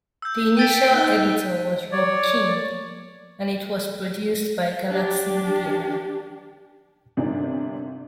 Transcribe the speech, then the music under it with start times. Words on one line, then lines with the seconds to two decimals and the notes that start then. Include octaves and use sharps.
The initial editor was Rob King and it was produced by Galaxy Media.
0.22 E6 G6
0.57 G5 G6 A6 B6 D#7 G7
0.93 D#4 F#6 G7
1.92 C#5 D5
4.89 D4 G4
7.17 G1 C3 D#3 D4